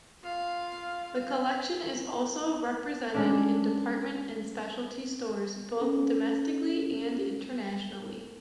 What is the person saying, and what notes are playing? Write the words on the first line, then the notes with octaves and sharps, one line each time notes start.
The collection is also represented in department and specialty stores both domestically and internationally.
F4 F5
G#3 C#4 D4
C#4 A4